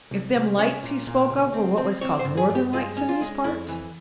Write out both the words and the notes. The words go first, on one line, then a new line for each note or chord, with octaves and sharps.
"If them lights he spoke of were what was called northern lights in these parts?"
C2
C2
C#4 C#5
A#2
A#2
C#2
C4
C4
C4 C#5
C5
G2
G#4
G2
G4
G#3 F4
C#4
F4
G#3
F2 E4
E3